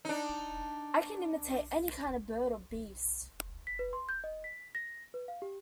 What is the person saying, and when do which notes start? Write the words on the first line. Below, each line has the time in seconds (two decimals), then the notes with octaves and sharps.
I can imitate any kind of a bird or beast.
0.05 D4 D#4
3.67 B6
3.79 B4
3.93 C6
4.09 G6
4.24 D#5
4.44 B6
4.75 A#6
5.14 B4
5.28 F5
5.42 G4